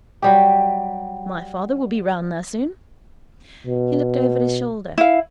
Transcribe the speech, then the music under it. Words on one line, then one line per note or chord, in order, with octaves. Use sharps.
My father will be round there soon.' He looked over his shoulder.
F#3 G3 G4
B2
E4 F5